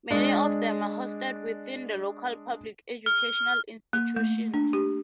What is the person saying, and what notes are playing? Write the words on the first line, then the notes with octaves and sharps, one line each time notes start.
Many of them are hosted within the local public educational institutions.
G#3 D4
F6
A#3
A3
D4
G4